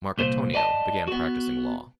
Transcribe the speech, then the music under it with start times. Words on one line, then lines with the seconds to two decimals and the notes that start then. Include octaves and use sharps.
Marcatonio began practicing law.
0.18 C2 A#2 C5
0.54 B4 D5 D#5 A5
1.08 B3 F#4